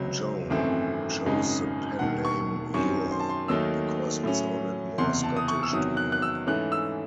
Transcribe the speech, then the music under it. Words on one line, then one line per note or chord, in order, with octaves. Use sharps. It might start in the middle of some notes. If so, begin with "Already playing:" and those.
Joan chose the pen-name "Ure", because it sounded more Scottish to her.
Already playing: C#2 C3 F#3 C4
G#1 F#2 E3 A3 C4
G#1 F#2 C#3 G#3 D#4
E1 D#2 D#3 F#5
C#6
F#2 D#3 F#3 C4 C#6
C6
A5
C6
D#2 D#3 F#3 A3 D#4 E6
A2 F#3 C#4
F#1 E2 C3 E3 C6
A5
D#6
C#6
E6
E2 C3 D#3 F#3 D#6
F#6
F#6
E6
G#2 E3 A3 C#4 F#6
E6